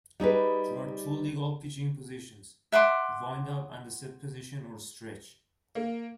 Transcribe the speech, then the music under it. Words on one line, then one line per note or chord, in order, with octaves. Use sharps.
There are two legal pitching positions, the "windup" and the set position or "stretch".
G3 D#4 G#4 B4
E5 F#5 C6 D6
A#3